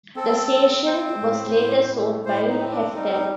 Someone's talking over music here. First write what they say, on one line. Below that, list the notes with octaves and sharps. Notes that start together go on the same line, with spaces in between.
The station was later sold by Heftel.
C4 A4
C4
C4 C5
A2
A2
A2
A2 C5
D#4
C4
D4
G3 D#4
D#4